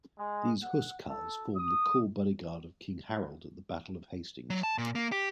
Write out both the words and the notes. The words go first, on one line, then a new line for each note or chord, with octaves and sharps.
These huscarls formed the core bodyguard of King Harold at the Battle of Hastings.
G#3
F#5
A4
D#6
F#3
A5
A#2
A#3
G4